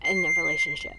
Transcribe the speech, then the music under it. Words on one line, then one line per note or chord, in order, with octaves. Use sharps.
in the relationship?
C7